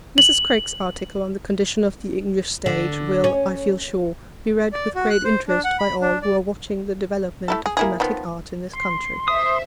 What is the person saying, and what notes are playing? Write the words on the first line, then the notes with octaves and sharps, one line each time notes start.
Mrs. Craik's article on the condition of the English stage will, I feel sure, be read with great interest by all who are watching the development of dramatic art in this country.
F#7
D3
C#4
D5
F#4
F#6
C5
D4
F#5
B5
D4
D5
A3 E4 A4
G#4
A#3 E4 G#4
D#3 F3 B3
C6
C5 E5 D#6